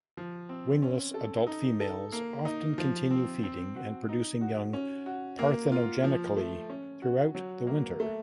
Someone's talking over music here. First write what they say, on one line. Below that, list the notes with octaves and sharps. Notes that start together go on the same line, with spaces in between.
Wingless adult females often continue feeding and producing young parthenogenetically throughout the winter.
F3
C4
C#4
A4
D#4
A4
A#3
D#4
F3
C4
C4
F#4
D#4
F#4
C#4
F#4
A#3
F4
F3
A3
C#4
F#4
F#3
A#3
A3